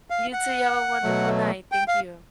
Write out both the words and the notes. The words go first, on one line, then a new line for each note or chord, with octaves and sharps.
You too. You have a wonderful night. Thank you.
F5
F#5
B2 F#3 A3
G5
F5